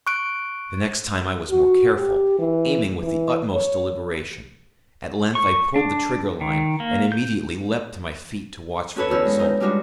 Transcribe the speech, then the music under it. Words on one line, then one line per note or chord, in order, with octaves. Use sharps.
The next time I was more careful, aiming with the utmost deliberation. At length I pulled the trigger-line, and immediately leapt to my feet to watch for the result.
C#6 F#6 D7
F#4
G4
E3
E3
C#5
C#6
D4
D#3
A#3
G6
C#4 F#4 A4 B4 C#5
E2 C#4 F#4 E6
G#3
D#4
G3 G#3 D4 F4 F#4